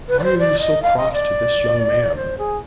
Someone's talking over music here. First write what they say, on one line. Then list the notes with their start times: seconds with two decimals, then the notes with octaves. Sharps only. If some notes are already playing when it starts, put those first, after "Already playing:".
'Why are you so cross to this young man?'
0.09 B4
0.19 D5
0.24 C5
0.39 D5
0.60 D#5
0.83 F5
0.98 D#5
1.13 D5
2.16 C5
2.38 G#4